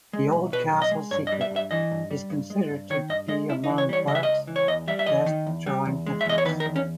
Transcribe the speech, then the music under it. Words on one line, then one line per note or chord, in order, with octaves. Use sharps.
"The Old Castle's Secret" is considered to be among Barks' best drawing efforts.
G#3
B1
B2 B4
B1
D#5
G#3
G2 C#5
D#5
G3
E5
G2
E5
E3 D#5
G2
G3
G2
G#3
G2
D#3 C#5
G2 D#5
G#3 D#5
C#2 E4
D#4
E3
C#5
G3 C#5
C#3 D#5
E5
D#5
C#2
E3
C#5
E2 D#5
G3 E5
E5
E2 D#5
D#3
E2
G3
E2
G#3
E5
E2 D#5
C#5
D#3 B4
A#4
E2
C#4